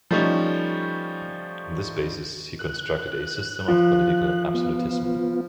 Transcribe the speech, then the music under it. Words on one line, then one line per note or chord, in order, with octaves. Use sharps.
On this basis, he constructed a system of political absolutism.
F3 G3 A3 C#4 D#4
F#6
F3
B3 F4